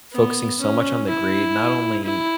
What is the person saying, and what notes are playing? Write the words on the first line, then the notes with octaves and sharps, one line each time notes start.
focusing so much on the grade not only
B3
C#4
E4
E4